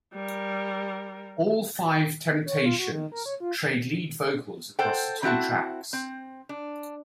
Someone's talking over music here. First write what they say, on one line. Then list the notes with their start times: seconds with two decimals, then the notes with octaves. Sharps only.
All five Temptations trade lead vocals across the two tracks.
0.14 G3 A#4
2.46 C#5
2.66 F4
2.79 F#4
2.92 D#3
3.12 A#4
3.26 C#5
3.40 F4
4.79 A4 C5 F#5 G5
5.23 C4 E4 F#4 E5 A5
5.93 C4
6.49 D4